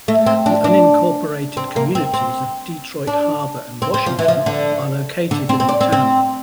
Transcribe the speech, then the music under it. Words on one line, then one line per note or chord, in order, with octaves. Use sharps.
The unincorporated communities of Detroit Harbor and Washington are located in the town.
A3
C4
D4
D4
C4
A#3
C4
C4
D4
C4
C4
F3
E3
F3
D3
D3
C4
C4
D4
C4
C4